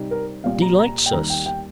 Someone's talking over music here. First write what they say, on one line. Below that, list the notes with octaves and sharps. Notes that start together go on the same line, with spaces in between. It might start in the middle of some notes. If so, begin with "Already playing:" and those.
Delights us.
Already playing: C3 G3 C4 D#4
A#4
C2 A#2 G3 F5
A#5
A#5
G5
D#2 D#3 G3 A#5
G5
G5